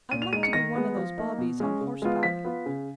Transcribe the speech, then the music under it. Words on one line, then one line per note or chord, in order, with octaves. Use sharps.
I'd like to be one of those bobbies on horseback.
A#2 D#7
F7
G#3 D#4 D#7
C#7
D#3 A#6
G#3 B3
F3
A#3 D#4
B2
G#3 C#4
C#3
G#3 B3 F4
F3 B6
B3 F4
C#3